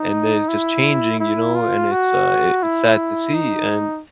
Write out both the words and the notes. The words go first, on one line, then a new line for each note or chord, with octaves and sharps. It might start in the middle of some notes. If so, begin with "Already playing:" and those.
and, uh, it's just changing, you know, and it's, uh it's sad to see, and
Already playing: D#4
E4
E4
F4
F#4
E4
D#4